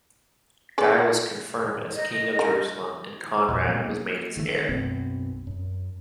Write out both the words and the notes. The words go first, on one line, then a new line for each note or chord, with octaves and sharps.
Guy was confirmed as king of Jerusalem, and Conrad was made his heir.
G#4 B4 D5
D#5
A#4
E2 A#2
B2 F#3 G#3 B3
A#3
D#3 A3
B1 F#2 B2 C4
F#2